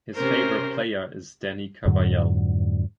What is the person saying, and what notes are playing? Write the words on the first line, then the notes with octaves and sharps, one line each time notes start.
His favorite player is Dani Carvajal.
C3 C#4 A#4 C5
F2 G#2 D3 F#3